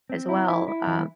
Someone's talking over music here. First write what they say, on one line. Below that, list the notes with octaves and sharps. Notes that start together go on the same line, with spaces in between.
as well, um
C4
E4
E4
E4
E3